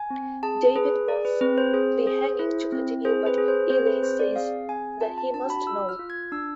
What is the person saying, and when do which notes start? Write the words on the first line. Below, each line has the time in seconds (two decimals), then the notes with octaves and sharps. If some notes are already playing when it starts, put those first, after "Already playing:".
David wants the hanging to continue but Eli says that he must know.
Already playing: G#5
0.10 C4
0.43 G#4 A5
0.76 G#4 B4
1.08 G#4 D5
1.25 B4
1.41 C4 B4
1.58 C5
1.73 G#4 C5
2.07 G#4
2.39 E4
2.72 C4
3.05 G#4 C5
3.26 B4
3.38 G#4
3.48 C5
3.70 C4 C5
3.87 B4
4.03 C4 C5
4.19 D5
4.36 G#4 F5
4.68 C4 G#5
5.01 F4 A5
5.18 A5
5.34 D4 A5
5.50 B5
5.66 F4 E6
5.89 F6
5.99 F4
6.10 G#6
6.32 D4 E6